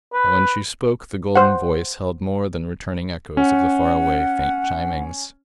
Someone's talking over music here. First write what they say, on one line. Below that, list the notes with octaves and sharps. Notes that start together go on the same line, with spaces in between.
And when she spoke the golden voice held more than returning echoes of the far-away, faint chimings.
B4
C5 F#5
C#4 F#5